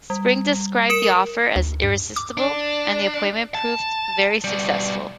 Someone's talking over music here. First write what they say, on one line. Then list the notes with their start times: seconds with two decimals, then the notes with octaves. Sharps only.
Spring described the offer as "irresistible" and the appointment proved very successful.
0.10 G3
0.90 A#4 D7 E7
1.56 D2
1.83 G2
2.16 D6
2.37 D4
3.55 A5
4.44 B2 G3